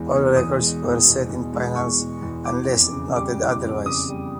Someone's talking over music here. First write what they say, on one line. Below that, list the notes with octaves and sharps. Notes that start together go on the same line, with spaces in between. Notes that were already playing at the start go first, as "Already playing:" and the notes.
All records were set in finals unless noted otherwise.
Already playing: E2 G#3
B2
E2 D#6
G#3
E2
B2
E2
G#3
E2 C#6
B2
E2
E3 D6
F2
C#3
G3 D6
E3
D6
F2
C#3 D#6
G3